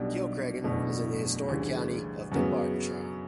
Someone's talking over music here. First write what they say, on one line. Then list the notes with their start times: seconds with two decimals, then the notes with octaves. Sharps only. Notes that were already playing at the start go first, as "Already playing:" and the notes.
Kilcreggan is in the historic county of Dunbartonshire.
Already playing: B1 B2 G3 D4 G4
0.64 F#1 E2 B2 A3 D4
1.48 D2 C#3 E3 G3
2.32 F#2 C#3 F#3 B3